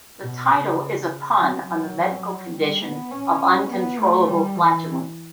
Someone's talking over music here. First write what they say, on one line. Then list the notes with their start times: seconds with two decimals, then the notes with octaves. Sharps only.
The title is a pun on the medical condition of uncontrollable flatulence.
0.22 B2
0.51 C#3
1.38 F#3
1.66 F#3
2.54 G3
2.82 B3
3.11 C#4
3.41 C#4
3.70 B3
3.98 A3
4.27 G3
4.56 E3